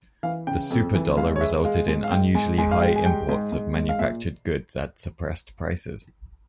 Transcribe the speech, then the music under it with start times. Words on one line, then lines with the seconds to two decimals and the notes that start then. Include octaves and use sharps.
The "super dollar" resulted in unusually high imports of manufactured goods at suppressed prices.
0.23 E3 F5
0.47 C#3 G5
0.71 F2
0.94 E3
1.17 G#2 F5
1.36 C#5
1.41 G#3 E5
1.64 G#3 F5
1.88 G#2
2.04 F5
2.11 G#2 G5
2.35 G#2 G#5
2.58 G#2 G#5
2.71 F5
2.82 G#3 G5
2.96 G#5
3.05 G3 G5
3.29 G#2
3.52 G#2
3.76 G#2
3.89 F5
3.99 A#2 E5